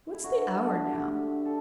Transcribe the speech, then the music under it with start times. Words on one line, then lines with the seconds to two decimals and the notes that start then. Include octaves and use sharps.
What's the hour now?
0.14 E4
0.24 D3 F#4
0.55 A3 D4
0.85 D3 G4
1.16 A3 D4
1.45 A4